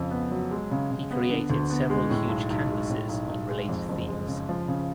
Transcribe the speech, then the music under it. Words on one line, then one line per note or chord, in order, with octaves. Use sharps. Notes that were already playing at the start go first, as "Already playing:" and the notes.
He created several huge canvases on related themes.
Already playing: F2 C#3
B3
F#3
G#3
C#3
C#3
B3
D3
D2
B3
G#3
A2
B1
B1
G#3
A2
B1
B1
G#3
F2
F#1
G#3
C#3
F3
C#3